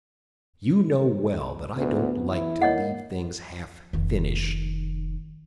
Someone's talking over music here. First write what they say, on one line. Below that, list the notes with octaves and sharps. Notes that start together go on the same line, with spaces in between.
"You know well that I don't like to leave things half finished."
D2 B3
E3 E4
A#3 C#5 D#5 F#5
F1 D#3